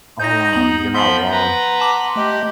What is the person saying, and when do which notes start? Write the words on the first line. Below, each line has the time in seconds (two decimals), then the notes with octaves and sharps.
Oh, you're not wrong.
0.19 D#4 G6 A#6
0.53 D#2 B3 G6 F#7
0.94 F3 F#5 B5 C6 G6
1.31 B4 A#5
1.80 A5 D6 F#7
2.16 A3 G4 D#5